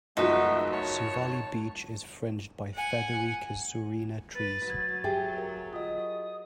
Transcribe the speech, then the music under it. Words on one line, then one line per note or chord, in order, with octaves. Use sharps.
Suvali beach is fringed by feathery casurina trees.
F#1 F3 G#3 A3 B3 D#4 F#4 E5
C#5 A5
F#5 G#5
B4 A6
F#3 G#6
G4 G#4 E5 G5 G#6
A#4
F4 D#5 D#6